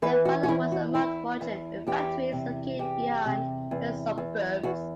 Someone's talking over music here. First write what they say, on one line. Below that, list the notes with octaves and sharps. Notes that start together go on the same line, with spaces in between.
Their father was a malt merchant with factories located beyond Prague's suburbs.
E3 B4
F#4
F#4
E2 E4
F#4
E2 E4
E2
E2 G4
C3
E2 G4
C3
E2
E2
E2 F#4